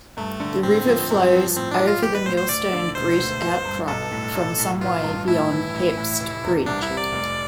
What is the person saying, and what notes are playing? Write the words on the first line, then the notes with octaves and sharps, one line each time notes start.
The river flows over the Millstone Grit outcrop from some way beyond Hepste Bridge.
G2 A3
D3
A2 C4
F3
G2
F3
A2 C4
D4
F3
F4
A1 G4
B4
A2 C5
C5
D2 D5
D3
E1 C5
D2
G1
G2
B1 A4
A2
B1
A2
A1 F4
G2
A2 E4
E3
A1
A2
F1
E2
C2 D4
E4
C3
D5
F1